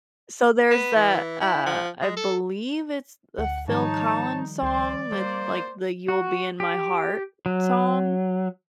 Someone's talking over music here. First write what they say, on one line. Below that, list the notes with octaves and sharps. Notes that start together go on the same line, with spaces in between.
So, there's that, uh, I believe it's a Phil Collins song that, like, the "You'll Be in My Heart" song?
B3
E3
E4
F3
G#3
A4
D2 F#5
G#2 D#3 F3 G3 D#4 C#5 A5
C#2 C5 D5
G3 A#3 C5
F#4
G4
F#3